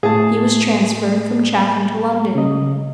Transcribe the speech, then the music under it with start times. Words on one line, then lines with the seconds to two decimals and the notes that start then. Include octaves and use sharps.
He was transferred from Chatham to London.
0.03 A2 A3 G#4 A5
2.35 C#3 D#5